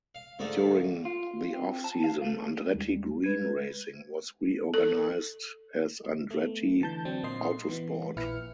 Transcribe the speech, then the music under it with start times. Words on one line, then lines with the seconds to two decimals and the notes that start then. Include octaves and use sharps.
During the off-season Andretti Green Racing was reorganized as Andretti Autosport.
0.15 F5
0.39 G#2 D3 F3 A3 D#4 F4
1.05 F4
1.54 C4
1.84 A5
2.04 F5
2.24 A3
2.73 D#2 G3 G#3
3.24 G#3 B4 G#6
4.74 A4
6.31 A3 B3
6.80 D3 E3 A5 G6
7.05 F#3 C4 D4
7.23 A#2 A#3 C4 D#5 C6 C7
7.68 E3 B3
8.17 A#1 A#2 E4 B4 F6 C#7